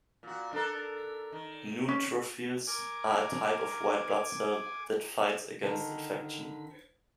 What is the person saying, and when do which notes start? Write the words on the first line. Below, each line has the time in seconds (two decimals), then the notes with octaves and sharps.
Neutrophils are a type of white blood cell that fights against infection.
0.23 A#2 F#4
0.53 D4 A4 A#4
1.32 D#3
1.88 C#4
2.67 A#4 G#5 D6
5.63 D3 D#3